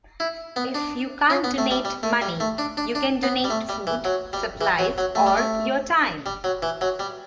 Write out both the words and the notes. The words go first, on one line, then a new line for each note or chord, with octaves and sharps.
If you can't donate money, you can donate food, supplies or your time.
E4
B3
D4
C#4
B3
A3
G3
G3
A3
G3
A3
D4
D4
D4
B3
G3
A3
G3
E3
F#3
G3
E3
F#3
F#3
A3
G3
A3
G3
F#3
E3
F#3
G3